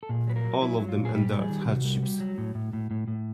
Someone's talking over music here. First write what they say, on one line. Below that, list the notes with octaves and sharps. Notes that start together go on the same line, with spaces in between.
All of them endured hardships.
A4
A#2 G#4
F#3 B4
A#4
F#3
F#3 E4
F#3 E4
F4
A#2
G#4
G3 G4
G3
G#4
D#3
G4
C3 F#4
G3
G3
F#3
A2
A2
A2
A2
A2